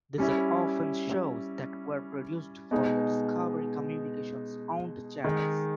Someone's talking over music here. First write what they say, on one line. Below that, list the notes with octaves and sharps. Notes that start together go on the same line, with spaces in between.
These are often shows that were produced for other Discovery Communications-owned channels.
G3 C#4 E4
B2 G#3 D#4
D#3 G#3 D#4